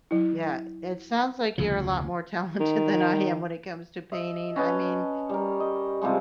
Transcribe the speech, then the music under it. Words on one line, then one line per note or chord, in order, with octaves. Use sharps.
Yeah. It sounds like you're a lot more talented than I am when it comes to painting. I mean,
F#3 E4
F1 D2 C#3 F3
D#3
D#5 E5
C#4 B4 D#5 A5
G3 A#4
D#5
C3 F3 G3 G#3